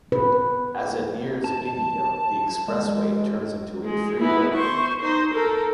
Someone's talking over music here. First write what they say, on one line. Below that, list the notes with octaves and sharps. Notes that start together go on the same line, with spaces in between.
As it nears Indio, the expressway turns into a freeway.
B4
A5
G#3
G#3
B3 E4
C5 C#6
D#4 C5
A4 A#4